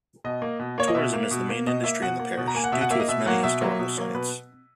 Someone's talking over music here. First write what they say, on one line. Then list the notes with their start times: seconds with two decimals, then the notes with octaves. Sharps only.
Tourism is the main industry in the parish, due to its many historical sites.
0.24 B2 D#5
0.42 A#3
0.60 B2
0.78 A#3 C#5
0.88 D#5
0.95 B2 E5
1.13 A#3
1.31 B2
1.49 A#3
1.67 B2 D#5
1.84 A#3 E5
2.02 B2 F#5
2.19 A#3
2.38 B2
2.48 A#5
2.55 A#3 G#5
2.64 F#5
2.72 B2 E5
2.81 F#5
2.90 A#3 E5
3.00 D#5
3.08 B2 E5
3.26 F#3 A#3 F#5
3.43 B2 E5
3.61 F#3 A#3
3.79 B2
3.97 F#3 A#3
4.15 B2 B4